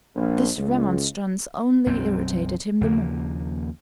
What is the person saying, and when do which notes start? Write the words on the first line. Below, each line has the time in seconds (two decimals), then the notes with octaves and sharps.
This remonstrance only irritated him the more.
0.15 A#1
0.57 C#2
1.86 B1 F#2 E3 C4
2.81 D#2 C#3 F3 A#3